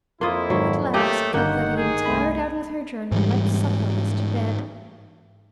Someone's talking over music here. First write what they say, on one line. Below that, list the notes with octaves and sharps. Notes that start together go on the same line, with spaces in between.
At last Katharine, tired out with her journey, went supperless to bed.
F2 A#3 E4 F4 C6 D#6
G#2 D#3 F#3
A3 A#3 G4 C#5 D#5 G5
G1 G2 D#3 A#3 F#5 G6
G#4
C2 A3 B5
G#2 E3 G3